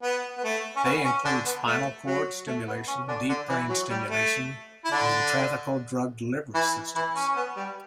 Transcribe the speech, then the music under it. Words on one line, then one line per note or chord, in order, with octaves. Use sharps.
They include spinal cord stimulation, deep brain stimulation and intrathecal drug delivery systems.
B3
B3
A3
C#4
B3
C#4
D3 D4
B3
A3
F#3
A3
B3
C#4
D3 D4
D3 D4
E3 E4
F#3
G3
A3
E4
D3 D4
E3 E4
E3 E4
C#4
C#4
B3
G3